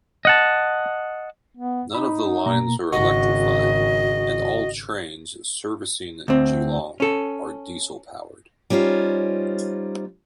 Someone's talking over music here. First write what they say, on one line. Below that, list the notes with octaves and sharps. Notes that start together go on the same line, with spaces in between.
None of the lines are electrified and all trains servicing Geelong are diesel powered.
D#5 F#5 A5
B3
D#4 B5
B2 A#3 A#5
G#1 C#3 F#4 D#5
D2 C4
C#4 A4
G3 C#4 D#4 F4 C5